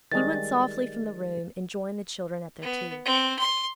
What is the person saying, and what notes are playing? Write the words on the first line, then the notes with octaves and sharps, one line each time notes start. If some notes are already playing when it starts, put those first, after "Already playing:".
He went softly from the room, and joined the children at their tea.
D#3 G3 G#3 A6
B3
C4
C6